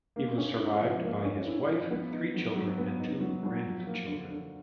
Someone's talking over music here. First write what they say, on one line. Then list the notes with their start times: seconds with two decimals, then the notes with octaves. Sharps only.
He was survived by his wife, three children, and two grandchildren.
0.16 A#3
0.38 C#4
0.59 E4
0.81 F3
1.03 A#3
1.25 C#4
1.47 E4
1.69 F3
1.91 B3
2.12 D#4
2.34 F#3
2.56 F#3
2.78 B3
3.00 D#4
3.21 F#3
3.43 F#3
3.65 F3
3.86 A#3
4.07 D3
4.30 D3